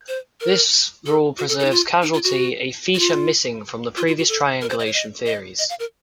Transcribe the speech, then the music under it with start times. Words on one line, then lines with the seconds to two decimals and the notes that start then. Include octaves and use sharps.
This rule preserves causality, a feature missing from previous "triangulation" theories.
0.08 C5
0.41 A#4
1.06 A4
1.38 F#4
1.49 A4
1.60 A4
1.65 D#4
1.71 F4
2.02 D#4
2.14 F4
2.24 F#4
2.95 F#4
3.00 F4
3.97 F4
4.07 F4
4.18 F#4
4.29 A4
4.62 A#4
4.70 C5
4.79 D#5
4.86 C#5
4.94 D#5
5.26 D#5
5.59 D#5
5.70 F5
5.80 A#4